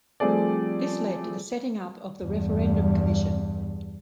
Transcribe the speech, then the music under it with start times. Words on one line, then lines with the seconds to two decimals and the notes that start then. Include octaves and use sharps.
This led to the setting up of the Referendum Commission.
0.20 F3 G3 A3 C4 G#4 D5
2.22 E2 G2